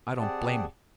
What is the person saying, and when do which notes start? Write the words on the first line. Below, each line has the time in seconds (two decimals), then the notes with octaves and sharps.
I don't blame you.
0.17 C4 G4 G#4 D5 F#5 A5